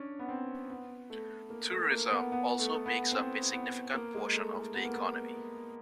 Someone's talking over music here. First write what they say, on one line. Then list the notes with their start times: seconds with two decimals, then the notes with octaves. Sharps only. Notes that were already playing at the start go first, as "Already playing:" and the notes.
Tourism also makes up a significant portion of the economy.
Already playing: C#4 D4
0.19 B3
0.29 C4
0.70 B3
1.10 A3
1.50 A#3
1.71 A3
1.91 A#3
2.12 B3
2.32 B3
2.59 A3
2.86 B3
3.12 C4
3.52 B3
3.94 A#3
4.14 G#3
4.34 A3
4.54 A#3
4.74 B3
4.85 A#3
4.95 B3